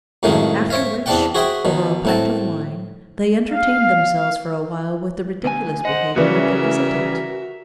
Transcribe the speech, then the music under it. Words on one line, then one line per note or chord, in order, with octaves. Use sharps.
After which, over a pint of wine, they entertained themselves for a while with the ridiculous behaviour of their visitant.
F#2 A2 D#3 F3 G#3 C4
C5 C#5 E5 F5
E2 C4 D4 D5 F#5 G5
F#4 G#4 C5 E5 G5 C6
B2 D#3
A2 C4 A5
F5
D2 G#5
C5 D#5 F#5
C#3 E3 G3 F#4 A#4 E5